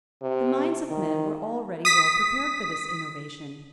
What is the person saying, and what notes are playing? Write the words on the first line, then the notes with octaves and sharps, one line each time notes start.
The minds of men were already well prepared for this innovation.
C3
D#3
D#6 B6